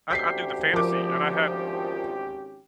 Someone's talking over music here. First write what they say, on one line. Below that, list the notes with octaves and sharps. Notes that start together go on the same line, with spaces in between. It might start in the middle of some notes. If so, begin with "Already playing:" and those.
I d I do the fantasy, and I had
G#1 D2 C#4 G4 G6 B6 C7
F3 A#4 D6